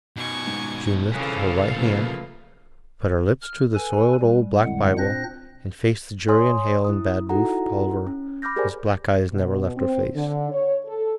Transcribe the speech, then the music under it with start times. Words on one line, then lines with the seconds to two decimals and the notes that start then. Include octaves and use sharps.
June lifted her right hand, put her lips to the soiled, old, black Bible and faced the jury and Hale and Bad Rufe Tolliver whose black eyes never left her face.
0.17 B2 D#3 G#5 C#6 D6
0.47 G#2
1.12 C2 C#3 E3 G#4 A4 F5 F#6 B6
1.76 A#2 C#3 F3 A3 A#3 B4
3.42 F6
3.74 A4 B4 G#5
4.20 G3
4.64 F2 A2 D3 G3 G#3 F#5
4.98 A#2 C4 D4 C5 F#6 A#6
6.28 C#5 G#5 C6 D#6
6.85 E4 D#6
7.29 D#4 E4 F#4 A4 F#5 A#5
8.07 C#4
8.42 B5 D6 F6 G6 A#6
8.56 G4 G#4 A#4 C5 D5 G#5
9.32 B2
9.77 C4
10.14 D3
10.52 C#5
10.87 A4